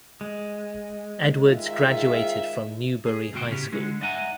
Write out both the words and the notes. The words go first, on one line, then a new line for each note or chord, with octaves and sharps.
Edwards graduated from Newberry High School.
G#3
G#2 D#3 F4 E5
G#4
D2 G#2 B2 F#4 G5 C6
A2 C#3 C#4 F#4 G4
D3 G#3
D#4 D5 E5 F#5 G#5 A#5